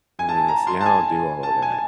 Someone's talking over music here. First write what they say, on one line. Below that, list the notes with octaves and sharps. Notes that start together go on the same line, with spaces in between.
Mm, see, I don't do all of that.
G#5
A5
A#5
C6
A5
G#5
A5
G#5